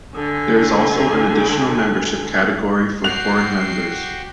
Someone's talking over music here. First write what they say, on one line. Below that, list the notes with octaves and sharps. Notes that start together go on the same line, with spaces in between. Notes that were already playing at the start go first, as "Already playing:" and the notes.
There is also an additional membership category for foreign members.
D3 G#5
F#4 G4 F#5 C7 F7